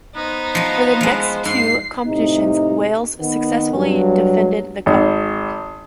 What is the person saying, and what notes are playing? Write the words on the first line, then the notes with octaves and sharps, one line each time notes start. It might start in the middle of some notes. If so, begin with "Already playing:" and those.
For the next two competitions Wales successfully defended the cup.
B3 D#4 C5
F3 D#5
F3 G#3
G#2 C7
A2 C3 D#4
D#3 B3
G2 F#3
G#1